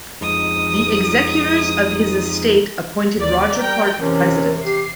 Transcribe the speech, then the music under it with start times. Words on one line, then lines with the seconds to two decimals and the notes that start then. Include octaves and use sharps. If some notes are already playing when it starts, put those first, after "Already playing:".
The executors of his estate appointed Roger Clark president.
0.21 F2 G#3 D#4 D#6
3.18 D#2 D5
3.56 G3 A#4 G5
4.00 E2 C3 E3 C#4 A#4
4.65 G4 C7